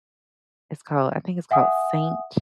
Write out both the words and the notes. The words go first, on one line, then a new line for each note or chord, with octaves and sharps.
it's called I think it's called Saint
E5 F#5 G#5 D#6